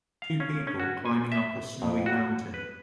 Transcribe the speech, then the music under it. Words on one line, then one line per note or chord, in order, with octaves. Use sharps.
Two people climbing up a snowy mountain.
F5
C#4
C#4
F#4
G#5
E5
F2
F#4
B4